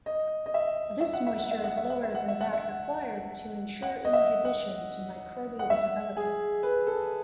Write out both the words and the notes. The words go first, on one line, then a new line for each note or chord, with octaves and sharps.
This moisture is lower than that required to ensure inhibition to microbial development.
D#5
D#5
E5
E5
F#5
E5
F#5
E5
F#5
E5
F#5
E5
F#5
E5
F#5
E5
F#5
D#5
E5
F#5
F#5
E5
G#4
B4
A4